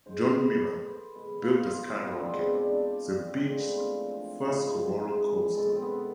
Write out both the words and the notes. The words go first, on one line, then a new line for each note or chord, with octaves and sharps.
John Miller built "The Sky Rocket," the beach's first roller coaster.
G#2 G#3 C5
B4
A4
C5
B4
B2 G#3 B4
F4
F4
C4
B3
D4
B2 G#3 C4
D4
C4
D4
D4
A2 F3 G#3 D4
C4
B3
C4
C4
C4
D4
G#2 F3 G#3 E4
G#4
B2 G#3 A4
C4
B3